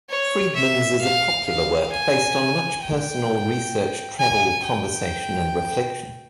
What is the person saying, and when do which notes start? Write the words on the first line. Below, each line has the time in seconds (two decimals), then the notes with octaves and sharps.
Friedman's is a popular work based on much personal research, travel, conversation, and reflection.
0.09 C#5
0.55 E5
1.01 F5
1.46 F5
1.92 G#5
2.83 G5
4.20 G#5
4.65 G5